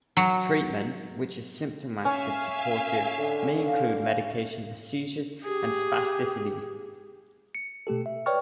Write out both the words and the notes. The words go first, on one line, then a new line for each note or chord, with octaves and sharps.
Treatment, which is symptomatic and supportive, may include medication for seizures and spasticity.
F#3
C#4 E5 F5 G#5
D3
F5
G4 G#4
C#7
B2 A3 G4 A4
E5
B4 C#5 D5 G5 C#6 F6